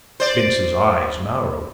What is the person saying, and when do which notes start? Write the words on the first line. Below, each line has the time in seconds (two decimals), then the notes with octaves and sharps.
Bince's eyes narrowed.
0.20 C5 D5